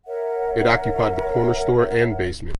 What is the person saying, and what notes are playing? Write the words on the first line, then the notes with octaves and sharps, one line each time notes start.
It occupied the corner store and basement.
A#4 C#5 E5 F#5